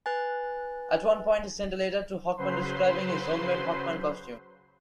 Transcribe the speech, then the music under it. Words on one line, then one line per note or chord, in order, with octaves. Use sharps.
At one point he sent a letter to Hawkman describing his home-made "Hawkman" costume.
B4 G#5 F#6 A6
C#3 F#3 B4 C5 C6